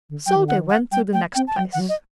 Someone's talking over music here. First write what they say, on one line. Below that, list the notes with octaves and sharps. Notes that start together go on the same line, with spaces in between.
So they went to the next place.
D3
F#3 G5
D#3
D3 F#5
D#3
F#5
G3 G5
A3 G5
C4 G5
A5
F#3 G5
D#3 F#5
F#3
D#5